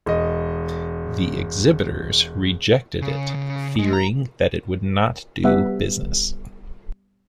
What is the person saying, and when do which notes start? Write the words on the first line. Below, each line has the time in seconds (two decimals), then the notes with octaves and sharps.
The exhibitors rejected it, fearing that it would not do business.
0.06 E1 D#5
3.02 C#3
3.35 C#3
3.79 G#3
3.93 A#5
5.44 G3 B3 E5 F#5